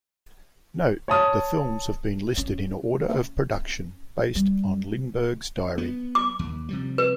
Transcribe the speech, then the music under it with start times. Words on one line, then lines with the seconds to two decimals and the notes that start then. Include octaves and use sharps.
Note: The films have been listed in order of production, based on Lindberg's diary.
1.08 C#5 A5 D#6 F6
2.38 C#4
4.35 G3
5.78 B3
6.15 D6
6.39 D#2
6.69 C3 F3 G3
6.98 B4